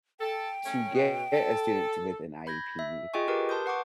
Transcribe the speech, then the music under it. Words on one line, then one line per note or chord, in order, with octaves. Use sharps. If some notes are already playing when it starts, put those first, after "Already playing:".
To get a student with an IEP,
A4 G5
A3 C#4
B2
A4
B5 G6 G#6 A#6
E5
F4 G#4 D#5 G5 G#5 C#6
G4 A#4 B4 D6
A5 C6 D#6 G6
B4 F#5 C#6 D6